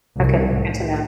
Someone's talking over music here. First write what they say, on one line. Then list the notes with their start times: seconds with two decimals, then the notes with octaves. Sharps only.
Okay, good to know.
0.17 C2
0.56 A2